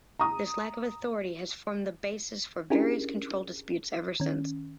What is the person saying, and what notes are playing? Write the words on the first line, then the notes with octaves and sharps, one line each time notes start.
This lack of authority has formed the basis for various control disputes ever since.
A#5 D#6
C#4 D4 E4 G4 G#4 A#4
D#3 C#4